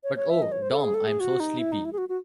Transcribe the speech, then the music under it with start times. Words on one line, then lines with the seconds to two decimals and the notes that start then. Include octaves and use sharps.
But, oh, Dom, I’m so sleepy.
0.04 C#5
0.16 C#5
0.30 E5
0.42 D#5
0.52 C#5
0.62 C5
0.72 A4
0.81 G#4
0.94 A4
1.07 G#4
1.20 F#4
1.40 D#4
1.59 E4
1.72 D#4
1.85 E4
1.93 G#4
1.98 F#4
2.09 F#4